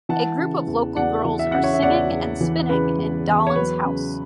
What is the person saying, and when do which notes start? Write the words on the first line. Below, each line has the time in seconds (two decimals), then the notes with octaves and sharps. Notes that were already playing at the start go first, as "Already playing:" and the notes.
A group of local girls are singing and spinning in Daland's house.
0.09 E3 F#5 A5
0.38 C#3
0.67 E2
0.96 E2 D5 F#5
1.25 E3
1.39 E5
1.52 C#3 F#5
1.64 C#5 E5
1.74 E5
1.82 E2 D5 F#5
2.11 E2
2.41 E3
2.69 C#3 B4
2.99 E2
3.27 E2
3.47 C#5
3.56 F#3 B4
3.85 C#3